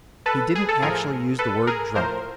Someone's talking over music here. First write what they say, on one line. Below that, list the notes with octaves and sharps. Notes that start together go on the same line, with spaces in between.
He didn't actually use the word 'drunk.'...
A4 B4
G#4
A4
A2 F3 G#4 A#4
A4 B4
G#4 A#4
A2 F3 A#4 C5